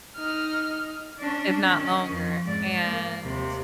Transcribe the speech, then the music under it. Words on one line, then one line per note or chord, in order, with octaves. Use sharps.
if not longer, and
D#4 F6
C#4 D4
D#3 C#4
F2
G#2 D5
A#3
D#2 C3